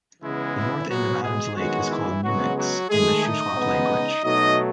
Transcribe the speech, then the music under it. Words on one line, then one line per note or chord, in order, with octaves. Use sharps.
The north end of Adams Lake is called Mumix in the Shuswap language.
C#3 E3 G#3 B3 E4
E3 E4
B2 F#3 G#3 B3 F#4
G#3 G#4
D#3 F#3 G#3 B3 F#4
E3 E4
C#3 F#3 G#3 B3 F#4
F#3 F#4
D#3 G#3 A3 G#4
D#4 D#5
C#3 G#3 B3
B2 F#3 A3 D#4 D#5